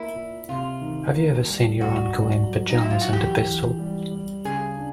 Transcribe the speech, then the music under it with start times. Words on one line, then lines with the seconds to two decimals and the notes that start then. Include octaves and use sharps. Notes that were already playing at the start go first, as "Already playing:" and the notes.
Have you ever seen your uncle in pyjamas and a pistol?
Already playing: A#3 E4
0.15 A#2
0.49 C3 F4
0.81 D#3
1.15 A#3
1.47 G3
1.81 G2 F#4
2.13 G2
2.47 F#3
2.70 D#4
2.80 F#3 E4
2.91 F4
3.01 F#4
3.12 E3 G4
3.46 E3
3.79 G3
4.11 G3
4.45 C#3 G#4
4.77 D4